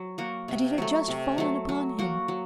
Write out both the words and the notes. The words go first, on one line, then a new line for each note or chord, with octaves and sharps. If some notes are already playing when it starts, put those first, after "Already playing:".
And it had just fallen upon him.
Already playing: F#3
A#3 F#4
C3
F#3 A3
C3
F#3 A3
F#3
A#3 F#4
F#3